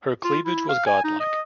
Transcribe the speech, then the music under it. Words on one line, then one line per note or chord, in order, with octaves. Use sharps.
Her cleavage was godlike.
F4
E4
F5
G#5
D#4
D#5